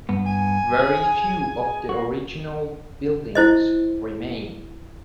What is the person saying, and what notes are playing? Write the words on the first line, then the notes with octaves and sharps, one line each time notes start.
Very few of the original buildings remain.
G2 B3
G#5
G#4
A#3 F#4
E4 C5 D#5